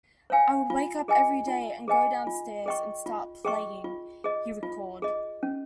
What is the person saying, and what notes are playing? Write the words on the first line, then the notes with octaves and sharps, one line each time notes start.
"I would wake up every day and go downstairs and start playing," he recalled.
C#5 F5 G#5
F4
G#4 D#5 G#5
F4
G#4 D#5 G#5
F4
G#4 D#5 G5 C#6
F4
G#4 D#5 G5 C#6
F4
G#4 D#5
F4
G#4 D#5
C#4